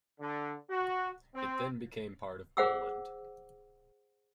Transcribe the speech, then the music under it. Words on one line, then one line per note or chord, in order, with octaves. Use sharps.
It then became part of Poland.
D3
F#4
C4
G#4 C5 F5 F#5 D6 E6